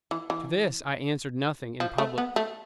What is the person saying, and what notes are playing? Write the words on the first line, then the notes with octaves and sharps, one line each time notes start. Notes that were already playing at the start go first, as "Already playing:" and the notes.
To this I answered nothing in public.
E3
E3
F3
A3
B3
A3